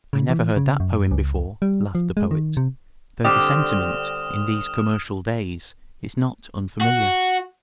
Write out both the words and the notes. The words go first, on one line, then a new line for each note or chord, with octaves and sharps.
"I never heard that poem before," laughed the Poet, "though the sentiment in these commercial days is not unfamiliar."
C#3
E3
C#3
F#2
C#2
G3
F3
G#3
D#3
C3
D3 G3 C4 D#6 F6 E7
F#4